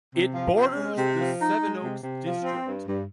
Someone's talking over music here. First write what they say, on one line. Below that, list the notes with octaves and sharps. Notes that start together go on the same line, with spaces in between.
It borders the Sevenoaks District.
C3
F3
C3
G#3
C3
F3
D#4
G#3
C3
C3
F3
C4
G2
G2